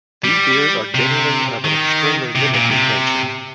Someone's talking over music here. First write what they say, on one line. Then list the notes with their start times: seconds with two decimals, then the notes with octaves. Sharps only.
These beers are generally of an extremely limited nature.
0.24 G3
0.95 C3
1.64 D#3
2.35 C3
2.54 A#2
2.71 C3